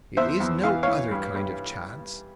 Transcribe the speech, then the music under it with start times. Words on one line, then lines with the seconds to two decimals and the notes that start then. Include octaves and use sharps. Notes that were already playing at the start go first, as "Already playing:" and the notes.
It is no other kind of chance.
0.17 E2 C5 E5
0.40 E2
0.64 E3 F5
0.83 E3 C#5 F5
1.11 G2
1.34 G2